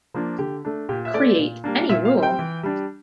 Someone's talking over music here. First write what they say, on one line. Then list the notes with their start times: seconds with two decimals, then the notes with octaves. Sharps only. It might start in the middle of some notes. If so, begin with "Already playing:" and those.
Create any rule.
0.14 F3 A#3 D4
0.39 D3 G4
0.65 A3 D4
0.89 A#2 G4
1.05 E5
1.14 A3 C4 D5
1.39 A#2
1.64 G3 A#3 D4
1.89 A#2 E5
2.05 F5
2.14 G3 C4
2.23 G5
2.39 E3
2.63 G3 D4